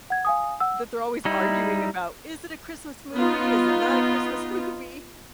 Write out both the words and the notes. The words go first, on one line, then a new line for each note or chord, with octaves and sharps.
that they're always arguing about, "Is it a Christmas movie? Is it not a Christmas movie?"
F#5 G#6
F5 G#5 D#6
F#5 E6
G3 D#4 E4
B3 D#4 F4